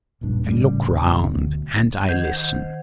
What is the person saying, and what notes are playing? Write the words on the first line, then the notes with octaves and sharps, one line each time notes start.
I look round and I listen.
D#1 A#1 G2 D4
F#1 A2 C#3 G3
B2
C2 F#2 B2
D2
D#3 C5 D#5 F#5 G#6